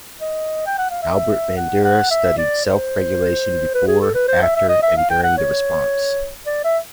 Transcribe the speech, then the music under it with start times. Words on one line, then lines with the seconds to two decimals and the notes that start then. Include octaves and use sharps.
Albert Bandura studied self-regulation before, after and during the response.
0.21 D#5
0.66 G5
0.78 F#5
0.90 F5
1.02 E5
1.57 F#5
1.84 F#5
2.11 E5
2.38 D5
2.66 C5
3.74 B4
3.87 G#4
4.01 A4
4.14 B4
4.28 C5
4.42 E5
4.56 E5
4.69 D#5
4.83 E5
4.97 F5
5.10 G5
5.24 F#5
5.37 C#5
6.46 D5
6.64 E5